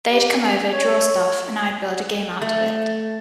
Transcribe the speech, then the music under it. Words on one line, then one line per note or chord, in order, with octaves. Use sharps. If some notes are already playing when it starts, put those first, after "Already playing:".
They'd come over, draw stuff, and I'd build a game out of it.
G4
C#4
C#5
A3